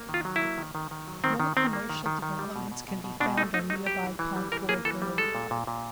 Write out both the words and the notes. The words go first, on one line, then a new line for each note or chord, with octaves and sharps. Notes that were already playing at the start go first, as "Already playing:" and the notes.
More commercial developments can be found on nearby Concord Road.
Already playing: A#3
D#3
F4
F#3
E4
A#3
D#3
D#3
D#3
F#3
D#3 C4
D#3
D#3 C4
A#3
D#3
D#3
D#3
G3
B2
B2
B2
B2
B2 D4
A3 D#4
A3 D#4
F#3 D#4
G3 G4
E3
E3
G3
E3 A#4
A#3 G#4
E3 A4
G3
G#3 A4
A#2
A#2
A#2